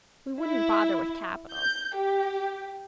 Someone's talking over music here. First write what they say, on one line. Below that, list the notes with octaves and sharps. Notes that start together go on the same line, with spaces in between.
"We wouldn't bother with capitals."
E4
G6
G4